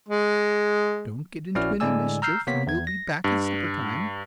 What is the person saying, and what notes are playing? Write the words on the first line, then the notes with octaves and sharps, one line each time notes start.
"Don't get into any mischief and we'll be back at supper time."
G#3
A#1 C#4 E4 F#4 D5 F6
A2 D3 G#3 D5 G#5 E6
A#5 E6 F6 G6 C7
C3 A#3 B3 C#5 B6
E2 G#6
A#6
G2